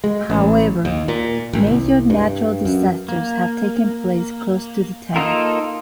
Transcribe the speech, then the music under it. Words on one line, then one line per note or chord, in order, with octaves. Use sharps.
However, major natural disasters have taken place close to the town.
G#3
A1
D#2
A#2
G#1
C2
G2
F#2
A#3
A#3 D#4 F4 A4 A#4